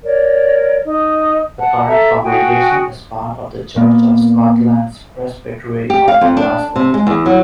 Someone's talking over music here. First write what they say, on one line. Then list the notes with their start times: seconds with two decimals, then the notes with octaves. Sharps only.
The current congregation is part of the Church of Scotland's Presbytery of Glasgow.
0.04 A#4 C#5 D5
0.85 D#4
1.58 F#5 A5
1.87 A4 E5 A5 A#5
2.23 F#4 G#4 G5 G#5
3.76 A#2 A#3 B3
5.90 G4
6.08 F5
6.21 F2
6.37 D4
6.76 C3
6.94 G#3
7.07 E2
7.26 F#3